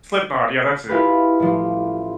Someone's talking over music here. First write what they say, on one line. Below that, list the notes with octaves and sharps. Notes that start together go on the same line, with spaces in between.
Slipknot, yeah, that's it.
E4 F4 G4 G#4 B4
A1 E3 F3 C6